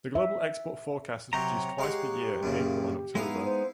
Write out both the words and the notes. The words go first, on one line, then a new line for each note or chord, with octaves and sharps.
The Global Export Forecast is produced twice per year in April and October.
E5
C3 F#3 C#5 G5 A#5
G#3 G4 F5 F#5
F#2 A#2 C#3
G#3 B3 D#4 E4 F5
C5